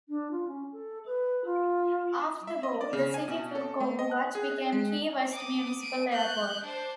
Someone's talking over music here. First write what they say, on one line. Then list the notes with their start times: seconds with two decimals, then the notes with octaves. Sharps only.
After the war, the city took over what became Key West Municipal Airport.
0.09 D4
0.31 F4
0.48 C#4
0.73 A4
1.06 B4
1.45 F4
2.47 E5
2.63 D#5
2.81 D5
2.93 C#3
3.14 G#5
3.28 B2
3.55 A4
3.80 A3
3.99 D#5
4.11 F#6
4.35 G#4
4.72 G#3
5.31 D6 D#6
5.81 D7 D#7
6.12 F#6 G6
6.64 D4 C5